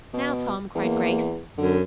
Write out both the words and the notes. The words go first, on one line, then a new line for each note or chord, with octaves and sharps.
"Now, Tom," cried Grace.
B2
E2 A#3
F#2 D3